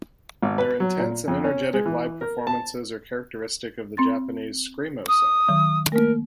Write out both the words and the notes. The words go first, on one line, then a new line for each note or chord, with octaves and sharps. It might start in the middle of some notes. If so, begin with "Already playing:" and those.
Their intense and energetic live performances are characteristic of the Japanese screamo sound.
G#1
B4
F#3
A#2
F2
C#4
G#3
E3
A#4
A5
C4 C6 A6
D#6
D#3 F#3
A3 A#3 A#4